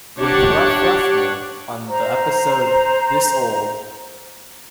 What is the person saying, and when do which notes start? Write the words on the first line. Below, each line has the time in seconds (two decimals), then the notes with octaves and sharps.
With Ruff Ruffman" on the episode "This Old...
0.18 D4 G4 C#5 D5 F#5
1.87 C5 A#5